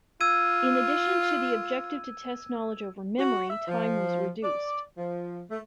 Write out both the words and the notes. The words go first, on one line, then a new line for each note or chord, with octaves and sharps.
In addition to the objective to test knowledge over memory, time was reduced.
F4 E6 G#6 D#7
F#4
E5
F3
D5
F3
A3